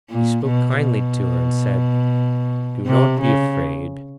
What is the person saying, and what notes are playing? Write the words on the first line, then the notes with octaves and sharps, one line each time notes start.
He spoke kindly to her, and said: 'Do not be afraid.
A#2
B2
B2
C3
C#3